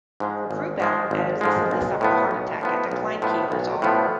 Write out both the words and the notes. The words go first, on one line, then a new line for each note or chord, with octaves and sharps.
Ruppelt had recently suffered a heart attack, and declined Keyhoe's offer.
G#2 F3 G#3
G#1
G#2 F3 G#3
G#1
G#2 F3 G#3
B1
A2 F3 B3
B1
A2 F3 B3
B1
A2 F3 B3
B1
A2 F3 B3